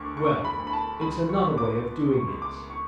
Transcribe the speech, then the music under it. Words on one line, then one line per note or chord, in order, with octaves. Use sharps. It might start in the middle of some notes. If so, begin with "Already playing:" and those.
"Well ... it's another way of doing it."
Already playing: D2 C#6 D6
D3 C#6
B5
D2
B5
A5
C#2 B5
C#6
B3
D6
B3
C#6
C#2
D6
C#6